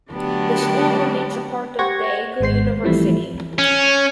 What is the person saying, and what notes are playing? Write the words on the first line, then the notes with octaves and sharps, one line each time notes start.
The school remains a part of Daegu University.
D3 F#3 A3 B3 D4 G4
G4 C5 F#5 C#6 G#6 A#6
G#1 G#3 C5 C7
E3 F3 G3 A3 C4 E4
C#4